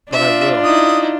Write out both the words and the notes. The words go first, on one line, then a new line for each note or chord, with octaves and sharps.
But I will.
D4 F4 E5
D#4 E4 D#6